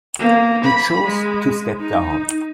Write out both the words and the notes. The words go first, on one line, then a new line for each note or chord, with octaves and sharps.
He chose to step down.
A#3
B5
G#3
D#4